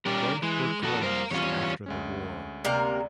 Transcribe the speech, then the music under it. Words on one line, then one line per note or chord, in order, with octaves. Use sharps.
Both were closed after the war.
G3 C#4 G4 A#4 D5
E3 G#3
F2 A#2 B3 F#4 A4
G3 A#4 C5 F5
E2 G3 C#4 F4 C#5
D2 G#3 C#4
C3 A#3 A#4 D5